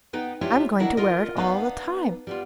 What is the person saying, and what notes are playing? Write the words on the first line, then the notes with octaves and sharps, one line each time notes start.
"I'm going to wear it all the time."
B3 D#4 B4 G5
D4 E4 F4 G4 C#5 E5
D#3 D4 E4 A#4 C#5 F#5
F4 A#4 D#5
B3 D4 D#4 B4 F5
G3 B3 F4